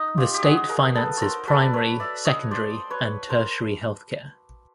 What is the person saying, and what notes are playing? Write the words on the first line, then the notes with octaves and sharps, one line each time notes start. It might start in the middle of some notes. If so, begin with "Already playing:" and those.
The state finances primary, secondary and tertiary healthcare.
Already playing: D#4
F4 G4
G4
F#4 G#4
G#4 A#4
A4 B4
A#4 C5 C#5
A4 B4
D5
B4 C#5
D5 E5
C#5 D#5
C5 D5
B4 C#5
A#4 C5